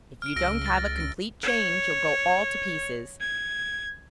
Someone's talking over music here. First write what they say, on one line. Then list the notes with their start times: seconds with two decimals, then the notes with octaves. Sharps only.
If you don't have a complete change you'll go all to pieces.
0.22 F6 D7
0.36 C#2 E6 A#6 D7
0.66 A6
0.98 A#6 D7
1.43 C#5
3.21 G#6